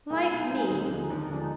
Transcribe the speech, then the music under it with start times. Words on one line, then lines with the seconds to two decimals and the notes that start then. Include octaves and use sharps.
Like me!
0.10 A#2 G#3
0.30 B1 D#4
0.50 A#2 G#3
0.70 D#2
0.90 D3 F3 G#3
1.10 D#2 D4
1.20 D#4
1.30 D3 F3 G#3 D4
1.40 D#4